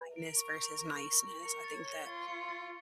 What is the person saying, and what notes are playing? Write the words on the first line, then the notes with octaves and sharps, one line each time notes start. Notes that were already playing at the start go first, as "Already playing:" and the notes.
kindness versus niceness. I think that
A#4 D7
C#6
G6
A#6
C#6
A#6
A#4 C#7
A6
C#5
G7
F4 A6
C#7
A6